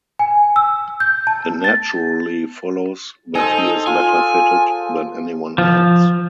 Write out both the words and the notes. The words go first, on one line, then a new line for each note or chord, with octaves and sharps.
It naturally follows that he is better fitted than anyone else.
G#5
E6
G6
A5
A6
D#4 G#4 A4 C5
F4 G#5
F3